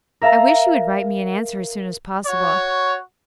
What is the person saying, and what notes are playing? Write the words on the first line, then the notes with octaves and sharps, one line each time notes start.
I wish you would write me an answer as soon as possible.
A#4 E5 F5 A5 A#5
F#4 C#5